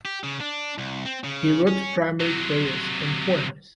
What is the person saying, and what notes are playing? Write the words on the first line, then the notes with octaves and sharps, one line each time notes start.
He wrote primarily prayers and poems.
G4
C#3
D4
C2
C4
C#3
C#4
C3 F#3